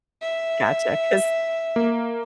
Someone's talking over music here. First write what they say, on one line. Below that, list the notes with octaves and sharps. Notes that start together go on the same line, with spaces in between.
Gotcha, 'cause
E5
A#3